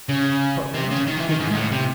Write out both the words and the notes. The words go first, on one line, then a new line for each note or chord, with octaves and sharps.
Portland.--Good camp.
C#3
C3
C#3
D#3
E3
D#3
G#2
G#2
A2
C3